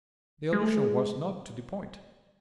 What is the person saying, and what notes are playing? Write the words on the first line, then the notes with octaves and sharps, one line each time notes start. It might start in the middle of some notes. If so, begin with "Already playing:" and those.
The allusion was not to the point.
G#3
A3
G#3